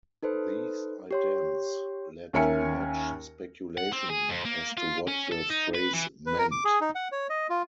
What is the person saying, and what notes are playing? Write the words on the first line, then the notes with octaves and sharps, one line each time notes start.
These idents led to much speculation as to what the phrase meant.
D#4 A4 B4 C5
G4 C#5 C6
D#2 C#4 A#4 E5 G#5 C#7
F#5
C4
G#4
F2
A#3
F4
C#4
A4
D#4
B4
E3
B4
A#4
D6
G#4
D#4
F#5
C#5
D#5
F4